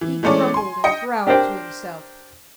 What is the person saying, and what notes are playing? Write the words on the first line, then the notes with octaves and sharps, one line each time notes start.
He grumbled and growled to himself.
E3
E3 G#3 A3 C#4 D5
G#5 C6
D#5 G5 A#6 C#7
D4 G4 A#4 C5 D5 G5